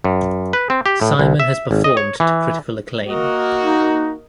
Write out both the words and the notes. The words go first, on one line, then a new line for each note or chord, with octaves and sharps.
Simon has performed to critical acclaim.
F#2
B4
C4
G4
A2
C2
E5
G#1
D#5
C#5
E3
A#3 F#4 A#4 D#5
D#4